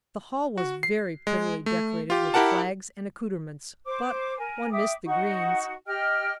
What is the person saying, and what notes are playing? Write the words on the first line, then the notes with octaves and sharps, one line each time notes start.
The hall was very prettily decorated with flags and accoutrements, but one missed the greens.
F#4
C7
G#3
A3
F4 G4
E4 G4 A#4 F#5 A5
C5 D6
A#4 G#5
E5 G5 D6 D#6
D#4 F#4 F#5 C#6
G4 D#5 G5 F6